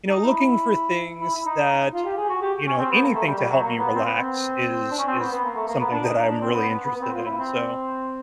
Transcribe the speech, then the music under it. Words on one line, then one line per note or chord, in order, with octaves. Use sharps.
you know, looking for things that, eh, you know anything to help me relax is is something that I'm really interested in. So
D#4
E4
E4
E4
D#4
F4
G4
G#4
F#4
G4
C#4
C4
B3
A#3
A3
G3
G3
F#3
A#3
B3
C4
B3
C4
D4
C#4
C4
B3
B3
A#3
A3
A#3
B3
D4
D#4
D4
C4
B3
B3
B3
B3
C4
F4
E4
C4